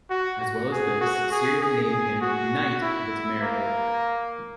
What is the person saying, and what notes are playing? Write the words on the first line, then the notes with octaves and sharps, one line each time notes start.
As well as this, Syria named him Knight of its Merit Order.
F#4
F#4
G#4
F#4
G#4
G#4
F#4
E4
A#3